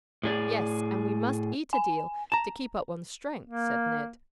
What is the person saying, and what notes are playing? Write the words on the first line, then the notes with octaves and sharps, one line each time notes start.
"Yes, and we must eat a deal to keep up one's strength," said Ned.
A2 G#4 D5
G#5
A5 A#5
A#3